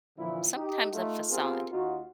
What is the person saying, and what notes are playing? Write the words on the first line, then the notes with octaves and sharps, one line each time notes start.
sometimes a facade,
A#2 D3 E3 F3 E4
D#4 G4
A3 D#4 F4 A4
B3 C4 F4 G4 G#4 A#4
D#2 D#4 F4 F#4